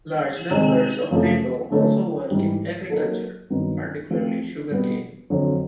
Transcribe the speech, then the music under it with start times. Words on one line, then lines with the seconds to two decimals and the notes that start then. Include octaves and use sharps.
Large numbers of people also work in agriculture, particularly sugarcane.
0.50 C3 D#3 G#3 C4
1.11 F#2 C#3 F3 A3
1.70 D3 F#3 A3 C#4
2.31 G#2 E3 G3
2.90 F#3 A#3 D#4 F#4 A4
3.50 G2 D#3 F#3 B3
4.10 F3 A3 C4
4.70 B2 G3 B3
5.30 F2 D3 F#3